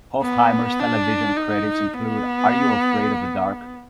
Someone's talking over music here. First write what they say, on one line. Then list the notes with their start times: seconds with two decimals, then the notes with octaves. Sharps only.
Hofheimer's television credits include Are You Afraid of the Dark?
0.22 B3
0.80 D4
1.36 D#4
1.94 B3